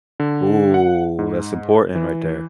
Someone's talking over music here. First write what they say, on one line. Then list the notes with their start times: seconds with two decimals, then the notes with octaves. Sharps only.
Ooh, that's important right there.
0.20 D3
0.74 F#5
1.19 G#2
1.95 E3